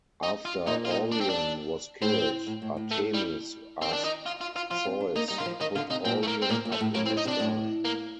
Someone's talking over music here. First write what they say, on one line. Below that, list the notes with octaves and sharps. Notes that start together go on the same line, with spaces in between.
After Orion was killed, Artemis asked Zeus to put Orion up in the sky.
D#4
F4
A#2 D#4
F4
D#4
D4
C4
D4
A2 C4
A2
A2
A2
A3
G3
D#3 C4
D4
D#4
F4
F4
F4
F3 F4
C4
D4
A#3 D#4
G3 D#4
D#3 F4
F3
D#3 D#4
D3 F4
C3 D#4
A#2 C4
A3
A#3
C4
A#2 A#3
A#2
A3
A2
A2 A#3
C4
A2
D#4
C3
D4
A2
A#3